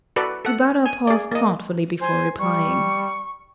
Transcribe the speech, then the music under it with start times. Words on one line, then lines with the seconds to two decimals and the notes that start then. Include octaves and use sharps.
Ibarra paused thoughtfully before replying.
0.16 F#4 A4 B4 D5
0.45 A4 F#5
0.86 G#5
1.07 G#4 D5
1.31 A#3 D#5
2.01 C5 G#5
2.39 G3 C#6